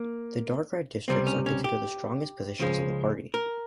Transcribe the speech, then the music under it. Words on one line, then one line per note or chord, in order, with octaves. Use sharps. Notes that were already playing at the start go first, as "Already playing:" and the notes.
The dark red districts are considered the strongest positions of the party.
Already playing: A#3
C#2 C3 G3 C4
C#4
C#4
G4
C#2 C#3 F3 G#3
A#4